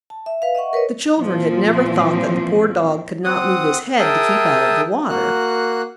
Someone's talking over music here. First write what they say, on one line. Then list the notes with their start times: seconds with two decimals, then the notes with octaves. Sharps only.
The children had never thought that the poor dog could not move his head to keep out of the water.
0.10 A5
0.26 E5
0.42 B4 F5
0.55 D#5 E5 F#5 C#6
0.73 A#4 B4 C#5 D#5
1.17 A#2 F3 C4
3.24 C4 F#5 D#6
3.99 G#4 A#4 E5 G5 A5 D#6
5.09 A#3 F#4 F#6